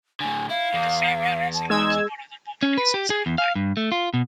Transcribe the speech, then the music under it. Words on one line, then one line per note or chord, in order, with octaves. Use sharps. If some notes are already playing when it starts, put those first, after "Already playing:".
In the same year Raysing also bought other properties in Sewerby.
A2 D3 G#5
E4 F5
E2
A5
G#3 D#4 E6 G#6
C#4
B4
G4
G#4
E2
F5
G2
A3
F4
B2